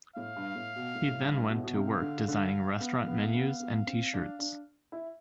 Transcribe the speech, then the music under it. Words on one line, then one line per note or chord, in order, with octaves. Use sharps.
He then went to work designing restaurant menus and t-shirts.
A2 F5
G2
A2
B2
A2
A2
G2
B2
A2
B2
C3 F5
D3
D3
B3
B3
A3
B3
B3
C4
D4
D4
E4